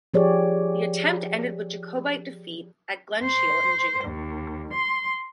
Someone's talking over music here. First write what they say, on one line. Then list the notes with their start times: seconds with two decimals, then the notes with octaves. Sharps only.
The attempt ended with Jacobite defeat at Glen Shiel in June.
0.14 F3 G4 G#4 C#5 D5
3.24 C5
4.05 D#2
4.73 C6